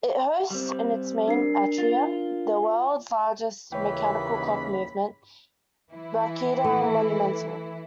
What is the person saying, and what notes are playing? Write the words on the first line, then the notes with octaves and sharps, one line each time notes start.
It hosts in its main atrium the world's largest mechanical clock movement: Raketa Monumental.
G3 C4
D4 A#4 C7
F4
D#2 C#3 E3 C#5 G5 B5
E3 E4
A3